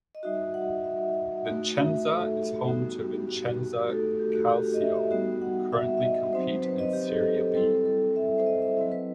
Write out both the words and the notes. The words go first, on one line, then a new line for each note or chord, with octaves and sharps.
Vicenza is home to Vicenza Calcio, who currently compete in Serie B.
D#5
G3 D#4 F#4 E5
F#5
E5
F#5
A3 D#4 F#4
E5
A4
G4
G3 B3 D#4 F#4
G4
F#4
F#4
F#4
G4
A3 D#4 F#4 A4
G4
F#4
G4
D#5
E5
E5
G3 B3 D#4 F#4
F#5
E5
E5
D#5
F#3 C4 D#4 C5
B4
D#5
G4
A4
G3 C4 E4 A4
A4
E5
C5
D#5
E5
F#3 C4 E4 D#5
B4